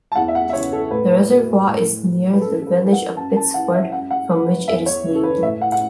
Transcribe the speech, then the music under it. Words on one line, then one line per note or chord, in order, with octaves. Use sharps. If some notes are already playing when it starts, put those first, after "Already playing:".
The reservoir is near the village of Pitsford, from which it is named.
A5
E2 F#5
E5
F#5
E5
C#3 E3 C#5
A4
A2 B4
F#3
A2
F#3
B4
F#2 A4
A4
B4
E3
F#5
F#2 A5
A5
E3 F#5
E5
F#2 F#5
F#5
E3 B4
E2 E5
C#5
C#3 E3
A4
B4
A2 E5
F#5
F#5